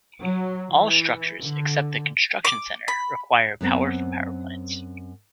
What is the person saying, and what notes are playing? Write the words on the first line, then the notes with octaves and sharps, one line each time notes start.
All structures except the Construction Center require power from power plants.
F#3
E3
D3
D6
B5
F#2 B3 C4